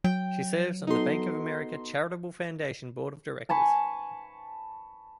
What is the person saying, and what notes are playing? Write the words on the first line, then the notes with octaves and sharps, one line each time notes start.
She serves on the Bank of America Charitable Foundation Board of Directors.
F#3 G5
B3 D#4 F#4 A4 C6
G#5 A5 B5 C#6